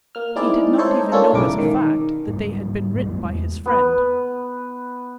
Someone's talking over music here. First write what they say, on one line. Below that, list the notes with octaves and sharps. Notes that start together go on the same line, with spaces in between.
He did not even know, as a fact, that they had been written by his friend.
A#3 F6
G#3 C4 D#4 E4 G#4 D5
A3 D#4 A4 C5 C#5
A#3 C#4 D4 F4 A4
B1 G#2 C#3 E4 A#4 D6
D#3
G#2 G3 A#3 D4
E1 G3 G#3
E2 G#3 A3
B3 B4